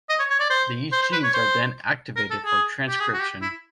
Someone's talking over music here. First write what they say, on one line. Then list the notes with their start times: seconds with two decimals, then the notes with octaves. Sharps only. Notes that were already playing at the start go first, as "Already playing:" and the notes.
These genes are then activated for transcription.
0.09 D#5
0.19 C#5
0.30 C#5
0.40 D5
0.50 C5
0.92 C5
1.02 C5
1.13 B4
1.24 C#5
1.34 C5
2.17 A#4
2.30 A4
2.45 G#4
2.89 G4
3.00 G#4
3.14 F#4
3.21 G4
3.42 E4